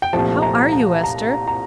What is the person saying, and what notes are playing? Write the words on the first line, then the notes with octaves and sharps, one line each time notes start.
"How are you, Ester?"
G5
C2 A#2 F3 A3 A5
A#5
A#5
A#5
A#5